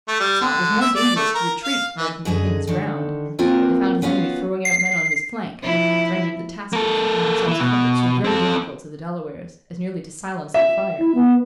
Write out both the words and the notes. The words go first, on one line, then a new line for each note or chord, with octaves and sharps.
He saw it was more dangerous to retreat than to maintain his ground: while he found his enemy throwing out men on his flank; which rendered the task of keeping themselves covered so very difficult to the Delawares, as nearly to silence their fire.
A3
G3
D3
E5
D5
A3
A#4
F5
E3
F#2 D3 G#4 D#5
D3 D#3
A#3 C4 F4 F#4 A#4 B4
B3 C#4 F4 F#4 F5
C7
F3 E4
A#3 A4
E3 E4
B2
C4 A4
E5
E4
B3